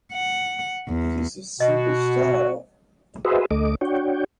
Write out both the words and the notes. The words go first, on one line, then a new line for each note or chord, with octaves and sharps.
It is a simple style.
F#5
E2
B2 F#4 D#5
F#4 G#4 B4 C5 D#5 E5
D2 A3 D#5 D6
D4 F#4 C#5 G5